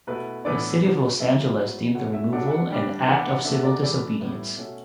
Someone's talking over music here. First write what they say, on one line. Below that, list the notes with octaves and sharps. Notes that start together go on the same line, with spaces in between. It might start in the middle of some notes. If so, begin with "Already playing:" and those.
The City of Los Angeles deemed the removal an act of civil disobedience.
B2 A3 E4 B4
A2 E3 B3 D4 D5
C#3 F#3 B3 D4
C#3 G3 C#4 E4 E5
F#3 B3 E4
B2 A3 C#4 E4 F#5
E5
F#3 A3 D4 F#5
E5
F#5
D3 G3 D4 G5
E3 B3 D4 F#5
F#5
B2 A3 D4 E5
D5
E3 A3 D4 D5
A2 G3 B3 E4
B2 A3 C#4 E5